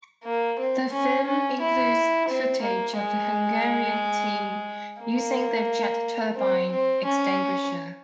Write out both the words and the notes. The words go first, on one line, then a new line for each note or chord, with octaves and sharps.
The film includes footage of the Hungarian team using their jet turbine extinguisher.
A#3
C4
C#4
C#4
E4
C4
A#3
G#3
A#3
C4
C4
C#4